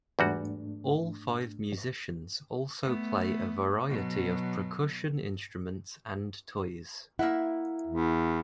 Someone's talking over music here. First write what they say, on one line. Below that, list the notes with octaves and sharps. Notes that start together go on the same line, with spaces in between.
All five musicians also play a variety of percussion instruments and toys.
E2 G#2 G3 A3 D4 F#4
A3 B3
B2 F#3
A#3 E4 E5 F#5
E2